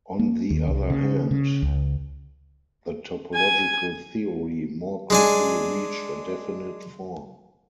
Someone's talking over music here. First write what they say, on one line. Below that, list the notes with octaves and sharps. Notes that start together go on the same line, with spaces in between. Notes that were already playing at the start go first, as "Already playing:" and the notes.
On the other hand, the topological theory more quickly reached a definitive form.
A#3
D#2
C2
C#3
C#3
C#2
G#5
G#3 D4 G#5